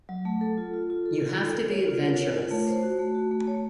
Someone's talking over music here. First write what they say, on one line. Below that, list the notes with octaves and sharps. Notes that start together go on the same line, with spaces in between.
You have to be adventurous.
F#3
A3
A4
F4
F4
F4
A4
F4
A4
A#4
C#5
F4
A#4
C#5
F4
A3
C5
F#4
A3
F#4
A3
C#5